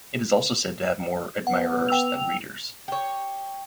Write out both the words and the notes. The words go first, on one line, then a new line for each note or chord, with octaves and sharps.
It is also said to have more admirers than readers.
B3 F#5
G5 E6 F7
G4 C#5